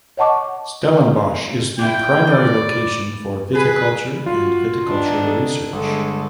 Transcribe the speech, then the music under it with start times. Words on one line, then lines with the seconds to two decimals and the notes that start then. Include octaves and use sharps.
Stellenbosch is the primary location for viticulture and viticulture research.
0.17 C#5 D#5 F#5 A5 C#6 D6
1.78 A#2 A#3 E4 G5
2.27 E3 D5
3.55 G#4 B4
4.26 F4 F#4
4.85 D#3 B3 D4
5.25 A4
5.73 G1 G#3 A4